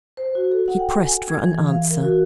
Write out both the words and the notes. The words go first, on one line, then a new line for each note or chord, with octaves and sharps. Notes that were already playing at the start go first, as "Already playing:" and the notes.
He pressed for an answer.
C5
F#4
A4
F#5
G5
G#5
G#6
E3
F5
A#4
F#4